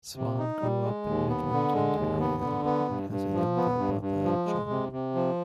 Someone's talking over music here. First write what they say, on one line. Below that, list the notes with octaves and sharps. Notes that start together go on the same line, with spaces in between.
Swan grew up in Midland, Ontario, and has a younger brother John.
C3
D#4
G3
G#3
D#2
B3
D3
G#3
D#2
B3
D3
B3
G2
G2
F3
B3
G2
G2
F3
G#3
C3
C3
F3